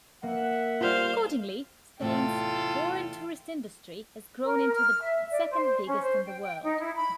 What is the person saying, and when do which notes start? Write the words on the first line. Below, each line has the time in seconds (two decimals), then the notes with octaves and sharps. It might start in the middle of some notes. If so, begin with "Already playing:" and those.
Accordingly, Spain's foreign tourist industry has grown into the second-biggest in the world.
0.23 A#3 E5 F#5
0.81 G3 F4 C5 F5
2.00 E2 A2 C3 F4 A4 G5
4.43 A#4
4.74 F6
5.01 E5
5.31 D5
5.50 C5
5.86 C#4
6.02 C5
6.26 G5
6.41 G5
6.63 D#4
6.80 E4
6.95 B5